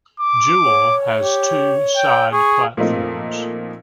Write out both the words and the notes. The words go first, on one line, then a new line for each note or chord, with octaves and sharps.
Jewell has two side platforms.
D6
C#5
G4
G5
G#4 C#6
A#2 F3 A3 A#3 C4 D#4